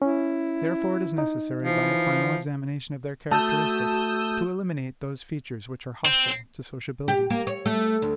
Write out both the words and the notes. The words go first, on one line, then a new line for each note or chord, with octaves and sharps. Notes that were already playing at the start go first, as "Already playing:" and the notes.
Therefore it is necessary, by a final examination of their characteristics, to eliminate those features which are hostile to sociability.
C#4 E4
D#4
E3 F3
A3 F#4 A5 D#6 E6 G6
C4
G4
A#3
C#5
A3
D2